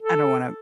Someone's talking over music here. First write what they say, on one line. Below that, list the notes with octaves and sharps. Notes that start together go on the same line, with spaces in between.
I don't wanna
A4